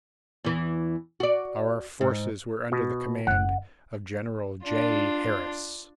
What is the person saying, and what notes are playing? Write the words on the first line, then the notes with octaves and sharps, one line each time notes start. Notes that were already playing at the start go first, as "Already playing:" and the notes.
Our forces were under the command of General J. Harris.
E2 E3
F#4 D5
G#2
B2
F#1 C#3 F#5
D4 F4